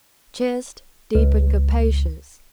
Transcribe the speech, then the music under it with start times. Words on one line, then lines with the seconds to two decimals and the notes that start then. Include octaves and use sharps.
CHEST--Deep and capacious.
1.15 C#2